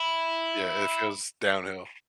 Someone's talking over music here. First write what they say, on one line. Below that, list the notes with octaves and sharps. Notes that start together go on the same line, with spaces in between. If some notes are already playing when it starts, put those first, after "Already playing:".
Yeah, it feels downhill,
Already playing: E4